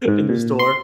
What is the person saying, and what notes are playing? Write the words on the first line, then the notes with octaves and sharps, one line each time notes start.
in the store,
G#2
A#2
C6